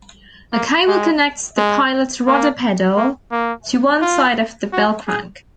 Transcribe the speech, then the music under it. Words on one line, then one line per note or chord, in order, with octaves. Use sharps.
A cable connects the pilot's rudder pedal to one side of the bellcrank.
A#3
G#3
G#3
A#3
A#3
A#3
F4
F#4
G#4